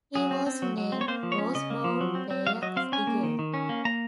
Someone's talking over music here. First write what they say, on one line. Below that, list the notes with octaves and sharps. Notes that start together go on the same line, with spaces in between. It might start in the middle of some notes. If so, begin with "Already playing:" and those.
He was named Rose Bowl Player of the Game.
F#3 G#4
C4
C4
F#3
F#3
C4
C#5
A#3 C5
F3
C#5
C#4
C#3 D#5
A#3
F3
F#3
C4
C4
F#3 F5
F#3 D#5
C4 F5
C#4 G#5
A#3
D#3
D#3
C#4
A#3
A#3 A#5